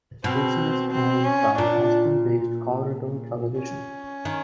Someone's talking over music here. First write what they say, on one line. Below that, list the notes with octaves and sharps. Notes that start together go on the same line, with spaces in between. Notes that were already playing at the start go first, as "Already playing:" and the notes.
The station is owned by Austin-based Corridor Television.
B2 C4
C4
C#4
A#2 D4
C#4
D#3